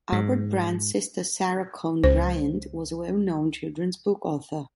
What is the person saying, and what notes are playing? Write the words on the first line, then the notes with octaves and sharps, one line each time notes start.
Albert Bryant's sister, Sara Cone Bryant, was a well-known children's book author.
G#2
C#2 C5